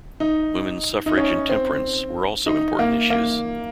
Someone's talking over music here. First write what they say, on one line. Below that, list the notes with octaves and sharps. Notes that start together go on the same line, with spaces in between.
Women's suffrage and temperance were also important issues.
D#4
D#4
C#4
C4
D#4
A#3
A#3